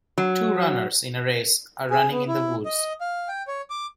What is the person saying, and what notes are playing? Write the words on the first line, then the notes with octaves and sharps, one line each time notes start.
Two runners in a race are running in the woods.
F#3
G#4
B3
E4
D#5
F5
G5
C#5
D6